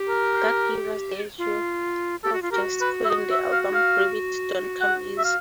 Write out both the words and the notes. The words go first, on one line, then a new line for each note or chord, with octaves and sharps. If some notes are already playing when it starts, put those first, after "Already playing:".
That gave us the idea of just calling the album "Rabbit Don't Come Easy".
Already playing: G4
A#4
F4
G4 A4
F#4
F4
G4 A#4
F#4
B4
E5
D#5
E5
F5
F5
F#5
E5
F5